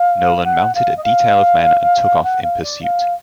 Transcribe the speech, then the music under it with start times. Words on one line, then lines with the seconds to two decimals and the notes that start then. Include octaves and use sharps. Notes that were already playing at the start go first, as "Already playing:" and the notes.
Nolan mounted a detail of men and took off in pursuit.
Already playing: F5
0.44 F#5
0.75 F5
0.97 D#5
1.04 F5
2.23 F#5
2.43 F5
2.62 D5
2.83 F5